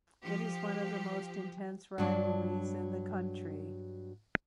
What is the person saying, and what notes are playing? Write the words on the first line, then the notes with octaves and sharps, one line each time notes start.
It is one of the most intense rivalries in the country.
F3 G4
G2 F#3 D4